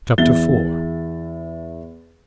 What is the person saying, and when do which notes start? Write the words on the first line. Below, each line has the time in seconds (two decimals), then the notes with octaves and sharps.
Chapter IV.
0.18 E2 E3 E5 A6 G7